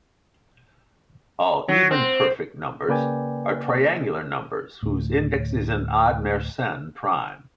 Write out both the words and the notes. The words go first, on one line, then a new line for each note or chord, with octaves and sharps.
All even perfect numbers are triangular numbers whose index is an odd Mersenne prime.
F#3
C4
C#3 A#3 B4 D5 G5 G#5
D2 A2